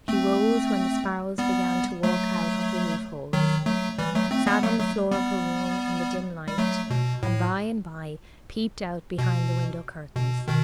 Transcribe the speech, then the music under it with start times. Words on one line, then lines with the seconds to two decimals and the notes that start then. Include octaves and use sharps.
She rose when the sparrows began to walk out of the roof-holes, sat on the floor of her room in the dim light, and by-and-by peeped out behind the window-curtains.
0.08 A3 C4
1.38 G3 B3
2.03 F#3 A3
3.33 D#3 F#3
3.66 F#3 A3
3.99 E3 G3
4.15 F#3 A3
4.31 A3 C4
4.47 G3 B3
4.63 F#3 A3
4.80 F#3 A3
5.11 G3 B3
6.48 G3
6.58 F#3 A3
6.90 B2
7.23 A2
9.18 B2
10.16 B2
10.48 B2 D#3